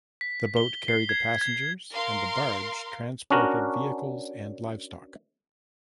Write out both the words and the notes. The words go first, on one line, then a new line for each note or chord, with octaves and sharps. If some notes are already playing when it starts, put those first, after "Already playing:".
The boat carried the passengers and the barge transported vehicles and livestock.
B6
G7
C7
G#6
G#6
A#4 F5 C6
C#4 D4 F#4 A#4